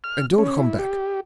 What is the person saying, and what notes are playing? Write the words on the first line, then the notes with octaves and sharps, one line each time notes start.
And don't come back.
F6
C#4
E4
G4